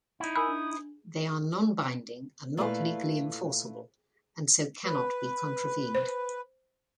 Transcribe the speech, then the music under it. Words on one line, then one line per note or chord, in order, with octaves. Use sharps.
They are non-binding and not legally enforceable and so cannot be contravened.
D#4 E4
A#4 G#5 B5 D#6 E6
D4
A#2 A3 E4 G#4 B4 F5
B4
C5